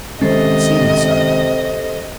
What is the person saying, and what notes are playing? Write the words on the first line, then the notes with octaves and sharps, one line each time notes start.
It seemed so.
C3 D#3 G#3 C#4 A4 C5 D#5